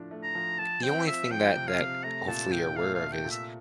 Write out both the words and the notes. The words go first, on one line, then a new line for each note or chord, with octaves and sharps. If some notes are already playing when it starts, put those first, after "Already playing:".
the only thing that that, hopefully, you're aware of is
Already playing: A2 F3 A3 D4
A3
A#5
F3
F3 A5
C4 G5
F4 E5
F3 G5
C3
F5
C3
A3 A#5
A#2 A5
A#2 G5
A3 F5
F5
A3
G5
A#2
E5